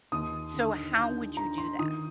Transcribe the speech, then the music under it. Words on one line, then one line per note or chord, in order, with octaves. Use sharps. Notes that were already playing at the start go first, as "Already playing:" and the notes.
so how would you do that?
D#2 D#6
D3
D4 G6
D4 A#5
C6
D#3 D#6